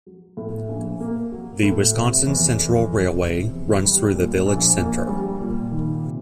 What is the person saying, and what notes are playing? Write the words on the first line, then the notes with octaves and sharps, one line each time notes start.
The Wisconsin Central Railway runs through the village center.
F#3
A2
A#1
A#3
F#3
A2
C3
E2
F1
F3
C3
E2
G3
A#2
A#1
A#3
G3
A#2
D#3
C3